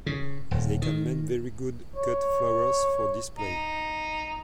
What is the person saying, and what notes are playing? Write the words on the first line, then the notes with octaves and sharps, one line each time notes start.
They can make very good cut flowers for display.
C#3
D#1
D#3
C#5
D#4